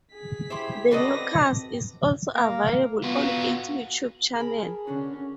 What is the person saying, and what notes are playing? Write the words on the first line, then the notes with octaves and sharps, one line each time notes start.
The newscast is also available on its Youtube channel.
G#4 B6
E4 G4 C5 B5
C4 F#4 A4 B4 C5 D5 D#5 A#6
A#3
B3 F4 F#4
G#4 A#4 A5 B5
D3 C#4 D4 F#4